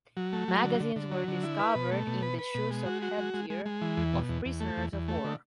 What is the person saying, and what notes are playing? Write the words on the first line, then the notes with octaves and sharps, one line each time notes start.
Magazines were discovered in the shoes or headgear of prisoners of war.
F#3
A3
F#3
D3
D3
D3
F#3
D3
E4
B4
B2
A3
B2
B4
B4
B2
G#3
F#4
F#4
G#3
G#3
G#3
G#3
E3
E2
B2
E2
E2
A3
E2
E2
A3
D3